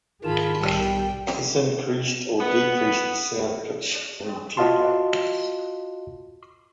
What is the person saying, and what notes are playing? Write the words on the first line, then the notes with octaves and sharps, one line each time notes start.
This increased or decreased the sound pitch and tempo.
G#2 D#3 F4 G#4 A5 B5
B1 G3 G5
B3
F4 F#4 D#5 F5 A5 C6